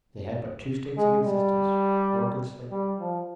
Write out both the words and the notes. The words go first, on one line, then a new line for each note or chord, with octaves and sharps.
They had but two states of existence--work and sleep.
G#3
G3
G3
F3